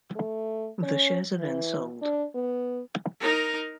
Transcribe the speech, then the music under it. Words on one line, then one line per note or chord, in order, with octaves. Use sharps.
The shares are then sold.
A3
C#4
E3
D4
B3
D#4 A#4